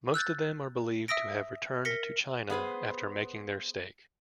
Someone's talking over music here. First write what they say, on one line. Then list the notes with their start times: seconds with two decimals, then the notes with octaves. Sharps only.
Most of them are believed to have returned to China after making their stake.
0.14 E6 F#6 G6 A6
1.08 E5 D#6 E6 A#6 D7
1.85 A#4 A#6 B6 C#7
2.50 B3 G#4 B4 C5